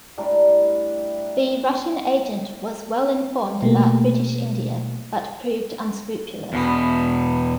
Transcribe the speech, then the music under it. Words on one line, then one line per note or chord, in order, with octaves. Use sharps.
The Russian agent was well-informed about British India, but proved unscrupulous.
A2 G3 D4 A#5
B2 G3 A3 A#3
E2 B2 B3